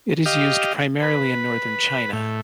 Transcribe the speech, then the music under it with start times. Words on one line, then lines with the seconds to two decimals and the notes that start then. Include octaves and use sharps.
It is used primarily in northern China.
0.25 G4 D#5 F5
1.02 B4
2.13 A2